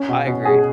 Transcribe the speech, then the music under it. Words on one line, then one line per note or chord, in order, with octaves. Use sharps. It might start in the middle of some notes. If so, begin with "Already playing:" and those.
I agree.
Already playing: C#4
B2
B2
G#4